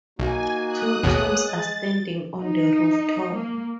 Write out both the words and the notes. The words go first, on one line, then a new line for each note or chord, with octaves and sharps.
Two tombs are standing on the rooftop.
B1 A#3 D#4 F#4 G#5
D#6 F#6
A1 D#2 B2 A#3 B3 G#4 C#5
G#3 A6
D#4
A#3